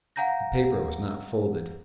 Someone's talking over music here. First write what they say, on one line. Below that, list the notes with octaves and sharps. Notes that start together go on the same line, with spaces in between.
The paper was not folded.
F5 F#5 G#5 A#5 G6 A#6